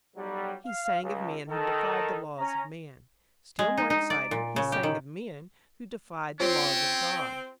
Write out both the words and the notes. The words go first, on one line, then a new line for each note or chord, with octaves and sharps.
He sang of men who defied the laws of man; still more exciting, he sang of men who defied the laws of God.
B1 F#3 G3
F5
C#2
D#3 A4
C#4 A#5
G#3
D#4
D#4
D5
A#2
C#3
G4
D#3
C4 C#4 F4 C5 C#5